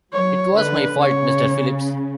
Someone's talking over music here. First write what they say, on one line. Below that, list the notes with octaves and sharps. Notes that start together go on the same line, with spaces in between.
It was my fault Mr. Phillips.
F#3 C#5
D3 B4
C#3 C#5